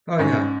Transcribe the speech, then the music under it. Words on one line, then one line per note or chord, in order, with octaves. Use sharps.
Oh, yeah.
G#2 C#4